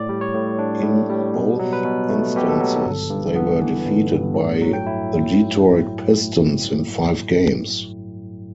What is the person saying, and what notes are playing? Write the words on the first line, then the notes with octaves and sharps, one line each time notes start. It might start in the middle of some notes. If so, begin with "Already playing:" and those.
In both instances, they were defeated by the Detroit Pistons in five games.
Already playing: A2 D5
G3
C#5
A2
D4
A2
G3
B2
F#3
B4
B2
A3
B2 G4
A4
F#3
G1
G2
B3
E3
G1
G2
A2
F#3
G5
E4